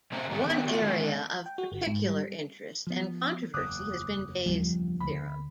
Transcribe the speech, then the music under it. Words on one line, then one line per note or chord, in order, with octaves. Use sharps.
One area of particular interest and controversy has been Bayes' theorem.
C3 A3 C#4 C5 A#5
G#2 D#3 E3 C#4 G#4 A4
D#3 B3 G4
A3 D4 F4 F#4
D#3 G#3 A3 C#4
G5
F#4
G1
G#2
G3
F3 B3
F#1 E2 D6 D#6 F#6
D#2 F3 G3 D4
D2 B5